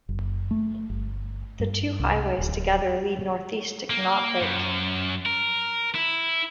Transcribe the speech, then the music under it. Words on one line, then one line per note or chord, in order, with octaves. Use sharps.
The two highways together lead northeast to Conneaut Lake.
F#1
A3
G1
G2
C2
D1
A#3
F#2
A#4
E4